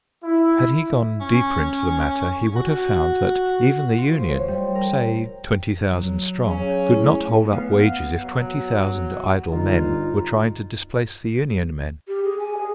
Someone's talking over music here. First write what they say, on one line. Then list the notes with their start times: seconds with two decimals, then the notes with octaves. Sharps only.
Had he gone deeper into the matter, he would have found that even the union, say twenty thousand strong, could not hold up wages if twenty thousand idle men were trying to displace the union men.
0.24 E4
1.21 C#4
2.56 F#4
3.98 F4
4.12 F3
4.29 C#5
4.48 G3
4.75 A#4
5.94 F#3
6.45 C#4 G#4 F5
6.89 A3 E4
7.51 B3 F5
8.22 F#3
9.50 G1 D#4 F4
12.08 G4
12.24 G#4
12.39 G#5
12.57 G#4